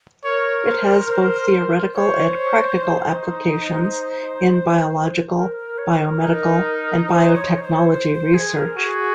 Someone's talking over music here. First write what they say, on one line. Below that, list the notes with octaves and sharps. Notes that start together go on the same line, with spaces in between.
It has both theoretical and practical applications in biological, biomedical and biotechnology research.
A#4 C#5
C5
C5
C5 C#5
C#5
D#4
C5
A#4
A#4
C#5
C5
A#4
D#4 A#4
C5
C#5
C5
C5
C5
G#4
A#4
F#4 G#4